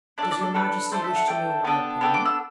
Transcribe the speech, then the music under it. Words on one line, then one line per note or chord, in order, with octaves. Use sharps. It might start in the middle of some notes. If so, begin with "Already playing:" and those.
"Does your majesty wish to know my opinion?"
D4 A4 D5
D5
A4
D4 A4 B4
A3 D4 A4 C5
E5
F#5
A3 D4 A4 G5
B3 D4 A4
B3 D4 A4 G5
D6
E6